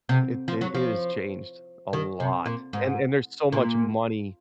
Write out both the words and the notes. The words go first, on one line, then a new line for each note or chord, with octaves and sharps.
it it it has changed a lot, and and there's so much money
C3
F3
F#3
F3
D#3
C3
A#2
G#2
A#2